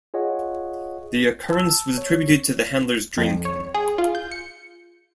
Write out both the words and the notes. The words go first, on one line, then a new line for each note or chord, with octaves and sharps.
The occurrence was attributed to the handler's drinking.
F4 G#4 C#5 D#5 F#5
A5 E6
C#5
F2
C#5
G#4
F4
G6
C#7